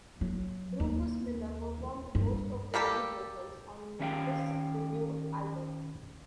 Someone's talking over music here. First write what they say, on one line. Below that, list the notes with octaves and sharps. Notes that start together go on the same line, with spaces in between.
Rufus Miller performed most of the lead vocals on this debut album.
F#3
D#2
G2
G3 A#3 G4 A4
D#3 C#4 G4 E5 F5 G5